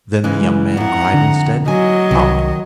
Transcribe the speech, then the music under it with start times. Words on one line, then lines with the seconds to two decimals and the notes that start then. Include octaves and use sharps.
Then the young man cried instead, 'Hop!
0.24 C#3 E3 G#3
0.77 F2 E4 F#5 A#5
1.14 D3
1.68 F#3 D#5 G#5
2.11 C2 D#3